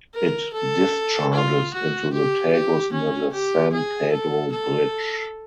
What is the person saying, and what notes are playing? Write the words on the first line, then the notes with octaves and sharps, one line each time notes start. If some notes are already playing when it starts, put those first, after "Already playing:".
It discharges into the Tagus near the San Pedro Bridge.
A#4
A4
F4
F#4
G4
G4
C#4
G4
G#4
A4
A4